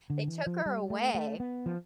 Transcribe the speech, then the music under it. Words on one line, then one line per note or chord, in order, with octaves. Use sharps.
They took her away,
D3
E3
F3
G3
A3
A3
B3
F3